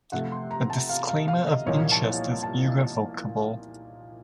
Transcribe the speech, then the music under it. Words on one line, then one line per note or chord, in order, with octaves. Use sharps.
A disclaimer of interest is irrevocable.
C3 F3 A3 F#5
C6
A#5
A5
F5
F5
F5
D#5
C2 A#2 F3 A#3 D#4 C#5
A5
A5